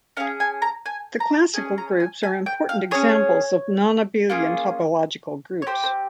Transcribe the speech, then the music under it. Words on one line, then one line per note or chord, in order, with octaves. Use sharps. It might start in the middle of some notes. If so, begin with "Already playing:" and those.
The classical groups are important examples of non-abelian topological groups.
C#4 G#4 F5
G#5
A#5
G#5
A#5
C#4 G#4 G#5
A#5
G#5
G#5
G5
F5
C#4 F4 G#4 C#5
A#3 C#4 F4 G#4
C#5
C4 G4 C5
C5